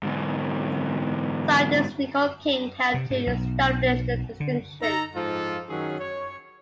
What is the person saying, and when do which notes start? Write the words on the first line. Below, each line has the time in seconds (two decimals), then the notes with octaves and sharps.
Scientist Nicole King helped to establish the distinction.
0.03 G#2 D3
2.94 C3
3.10 G#2
3.27 B1
4.40 D3
4.81 D#4 A4 A#5
5.15 G#2 F3 F4 A4
5.69 D#3 F#3 C#4 G#4
6.00 C#5